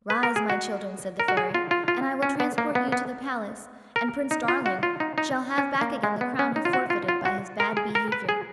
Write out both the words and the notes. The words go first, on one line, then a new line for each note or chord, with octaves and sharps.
"Rise, my children," said the Fairy, "and I will transport you to the palace, and Prince Darling shall have back again the crown he forfeited by his bad behavior."
B4
A#4
G#4
F#4
A#4
F#4
G#4
F4
F4
F4
C#4
B3
A#3
B3
B3
A#4
D#4
F4
F#4
F4
D#4
D#4
C#4
A#3
G#3
B3
C#4
D#4
F4
F#4
F4
F4
F#4
A#4
G#4
A#4
B4
G#4